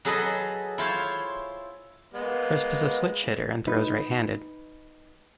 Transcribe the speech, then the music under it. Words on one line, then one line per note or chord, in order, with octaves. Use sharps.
Crisp is a switch-hitter and throws right-handed.
F#3 G#4 A4 B4 D#5 B5
E4 F4 C5 C#5
G#3 A#3 B3
D#4 B4